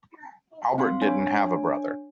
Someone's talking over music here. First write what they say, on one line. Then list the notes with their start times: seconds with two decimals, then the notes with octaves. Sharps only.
Albert didn't have a brother.
0.78 C4 F5 C6
1.02 D4 C#5 G#5